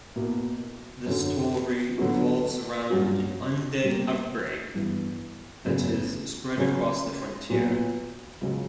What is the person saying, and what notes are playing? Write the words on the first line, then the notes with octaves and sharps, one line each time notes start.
The story revolves around an undead outbreak that has spread across the frontier.
B2 A#3 E4
F#2 D3 F#3
D3 F#3 B3 F#4
G2 F#3 C#4 F#4
B2 G3 A#3
G2 E3 B3
F#2 C#3 F#3 B3
C#3 F#3 C#4
A#2 F#3 B3 F#4
C#2 C#3 F#3